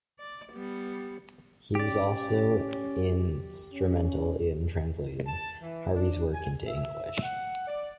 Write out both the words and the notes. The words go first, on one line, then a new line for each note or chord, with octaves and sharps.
He was also instrumental in translating Havel's works into English.
D5
G3 B3
C#4 G4 D5
C#4
A5
E3
D4
G#5
E5
F#5
D5